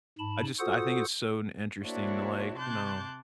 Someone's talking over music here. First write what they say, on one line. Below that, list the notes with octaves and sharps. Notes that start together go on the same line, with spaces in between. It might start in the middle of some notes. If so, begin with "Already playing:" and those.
I just I think it's so interesting to like, you know,
G#2 A5 B5
F4 F#4 A4 C5 F#5 D#6
A#3 D4 E4 F#4 C5 C#5
C3 A5 C6 D6 F#6 G6